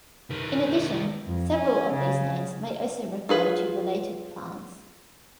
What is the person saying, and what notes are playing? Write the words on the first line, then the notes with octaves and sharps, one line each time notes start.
In addition, several of these names may also refer to related plants.
D#3 B3
F2
C#4
C#3
F4 G#4 B4